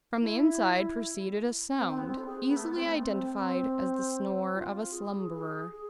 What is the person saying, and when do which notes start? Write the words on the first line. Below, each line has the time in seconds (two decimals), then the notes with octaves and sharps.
From the inside proceeded a sound, easily identified as the snore of a slumberer.
0.21 E4
1.78 C4
1.88 C4
1.98 B3
2.08 C4
2.18 A4
2.27 G#4
2.47 B3
2.56 A3
2.66 B3
2.76 C4
2.86 A3
2.96 C4
3.35 C4
4.54 F4
4.92 G#4
5.32 G#4
5.72 G#4